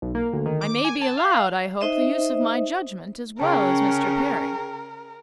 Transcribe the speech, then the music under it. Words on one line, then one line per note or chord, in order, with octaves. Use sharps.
I may be allowed, I hope, the use of my judgment as well as Mr. Perry.
B1
A#3
D2
D#3
D6
G#5
A5
F5
D#4 C5 D#5 E5
C#3 C#4 G#4 A#4 G5 A5